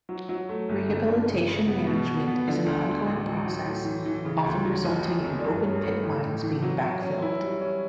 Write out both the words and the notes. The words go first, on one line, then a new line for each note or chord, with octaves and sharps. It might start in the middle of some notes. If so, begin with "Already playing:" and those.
Rehabilitation management is an ongoing process, often resulting in open pit mines being backfilled.
F#3
F#3
A3
G1
D3
G1
C#3
C#3
B3
B2
B3
B3
D3
D2
D2
A1
F#3
F#3
A2
E3
E3
C#3
D2
F#3
F#1
F#2
F#2
G2
C#4
A3
A1
A2
E3
F#3
F#3
C#4
E4
G3
C#4